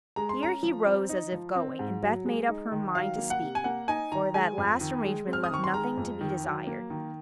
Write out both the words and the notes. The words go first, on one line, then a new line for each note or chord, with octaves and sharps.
Here he rose, as if going, and Beth made up her mind to speak, for that last arrangement left nothing to be desired.
G#3 A#5
C6
C#4 A#5
F3
C4
D#4
F3
C4
G#2
F#3
G#3
D#4
D#3
F#3 F5
A#3
F#5
C3
G#5
A#3 F#5
D#4 G#5
D#3 A#5
G#3 G#5
F2
D#3
G#3
C4
F6
D#6
D#3 C#6
C6
G#3 A#5
F2
D#3
F#3
A#3
D#3